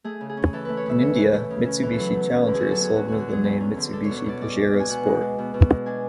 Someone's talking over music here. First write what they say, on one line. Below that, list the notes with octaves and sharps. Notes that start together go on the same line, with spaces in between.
In India, Mitsubishi Challenger is sold under the name Mitsubishi Pajero Sport.
A3 G#4
C#3
G#4
C#4
E3 A4
A3 B4
C#5
C#3 E5
C#4 C#5
E3
A3
C#3
C#4
E3
A4
F#3 B4
E2
C#4
D3 E4
G#4
F#3 F#4
A4
E2 G#4
C#4 F#4
D3 F#4
F#4
F#3 G#4
E2
C#4
D3
D4 A4
B2 C#5
C#5
B2 D5
G#3 D5
D4
B2
G#5
B2 F#5
G#3
D4
B2
B2
G#3
D4 G#5